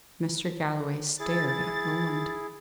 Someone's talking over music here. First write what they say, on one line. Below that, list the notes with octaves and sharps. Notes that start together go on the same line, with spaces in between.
Mr. Galloway stared at Roland.
E4 G#4 A6